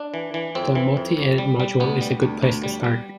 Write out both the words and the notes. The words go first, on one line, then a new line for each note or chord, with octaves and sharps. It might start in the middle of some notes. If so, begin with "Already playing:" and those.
The multi-edit module is a good place to start.
Already playing: D4
E3
E3
F2 C4
E3
F2
F2
G3
G3
D2 B3
G3
D2
D2
G3
G3